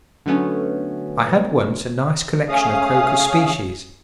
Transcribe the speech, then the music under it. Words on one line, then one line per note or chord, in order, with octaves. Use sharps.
I had once a nice collection of Crocus species.
D3 F#3 A3 B3 C#4
A3 C#4 G#4 F5 D#6